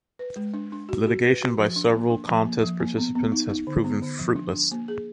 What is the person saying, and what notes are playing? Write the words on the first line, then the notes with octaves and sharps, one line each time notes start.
Litigation by several contest participants has proven fruitless.
B4
G#3
D4
D4
F#4
F#4
B4
F#4
F3
D4
A#3
D4
F3
A#3
F3
A#3
B3
B3
D#4
D#4
D3
B3
D3
F3
D4
D4
A#3
G#4